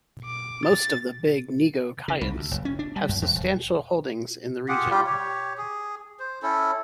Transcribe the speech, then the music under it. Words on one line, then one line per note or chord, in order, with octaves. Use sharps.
Most of the big negociants have substantial holdings in the region.
D6
A6
C#3
C2
D2
F#1
C#4
D4
G3
F#2
E2
E1
F4 G4 G#4 F#5
G3 F4 G4
G4 C#5
G#4
C5
C#4 E4 A4